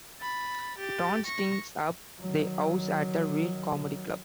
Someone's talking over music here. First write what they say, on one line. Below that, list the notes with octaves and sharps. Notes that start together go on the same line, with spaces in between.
Tron stinks up the house at a real comedy club.
B5 A6
G4 A6
C#6 A#6
D#3 F#3